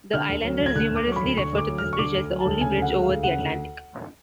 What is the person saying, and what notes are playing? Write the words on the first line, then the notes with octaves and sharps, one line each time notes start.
The islanders humorously refer to this bridge as the only bridge over the Atlantic.
D3 F6
D2
F#3
D2
G#6
D3 F#6
D2
D6
F#3
C#6
B5
D2
D3 C#6
D2 D6
F#3
F6
D2
C#6
D3 D6
D2
F#3
D2 A5
C#3 G#5
D2
F#5
G#3
F5
D2
C#3 F#5
D2